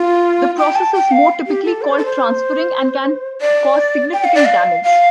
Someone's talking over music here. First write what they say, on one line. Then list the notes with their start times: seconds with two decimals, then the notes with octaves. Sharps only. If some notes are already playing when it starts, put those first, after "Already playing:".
The process is more typically called transferring and can cause significant damage.
Already playing: F4
0.58 G5
0.76 A5
0.94 G5
1.11 F5
1.47 G4
1.65 A4
1.82 D5
1.90 C5
1.98 A4
2.06 C5
3.42 D5
4.13 G5
4.24 F5
4.35 D5
4.46 F5
4.83 F5